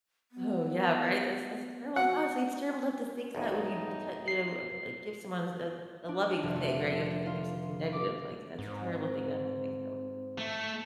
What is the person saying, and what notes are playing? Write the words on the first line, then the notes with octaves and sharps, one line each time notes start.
Oh, yeah, right? That's that's terrible thoughts. It's terrible to have to think that when you t You know, uh, eh, give someone a s a loving thing, right? You have to think of something negative. Like, that's a terrible thing to have to think that way
B3
F#4 F#5
B1 E2 G2 D#4
C7
D4
F1
A3
F4
D6
G#2 C4
A3